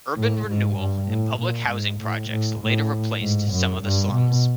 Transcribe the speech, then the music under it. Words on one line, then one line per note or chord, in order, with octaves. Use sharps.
Urban renewal and public housing projects later replaced some of the slums.
A2
G#2
G2
A2
A#2
G#2
A2
A2
A2
G#2
F#2
G2
B2